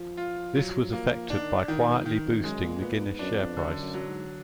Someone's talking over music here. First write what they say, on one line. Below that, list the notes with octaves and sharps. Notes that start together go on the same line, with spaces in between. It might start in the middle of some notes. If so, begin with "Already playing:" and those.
This was effected by quietly boosting the Guinness share price.
Already playing: F3
F4
F#3
A#3
D#3 D4
D#3
A#2
D#3
F2
F#2 G#3
A#2
A#2 B3
G#2
F#2 D4
F2
F#2 D3
F#2
F#3
G#2